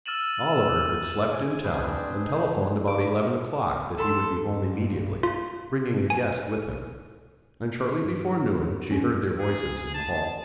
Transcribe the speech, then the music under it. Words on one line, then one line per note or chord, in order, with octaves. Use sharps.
Oliver had slept in town and telephoned about eleven o'clock that he would be home immediately, bringing a guest with him: and shortly before noon she heard their voices in the hall.
E6 F6 A6 D#7 E7 F#7
G#5
G#4 B4 C5
C4 D4
D#4
D6
A4 B5 C6
G2
F4
G#5
G2
F2 C#4 G#4
G#4
A5